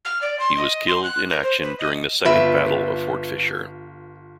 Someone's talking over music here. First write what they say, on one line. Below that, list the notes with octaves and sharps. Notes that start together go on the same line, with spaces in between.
He was killed in action during the Second Battle of Fort Fisher.
F6
D5
C6
D#5
C6
F#6
A#4
C5
B4
D#5
G1 F4 B4 E5 D7